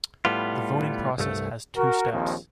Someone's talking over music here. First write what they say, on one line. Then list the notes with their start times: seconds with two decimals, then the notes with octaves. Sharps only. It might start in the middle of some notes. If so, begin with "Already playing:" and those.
The voting process has two steps.
0.25 A2 G3 B3 F4
1.18 C2 G2 A3
1.77 F#4 A#4
2.13 A#1 D#2 D#3 F3 C4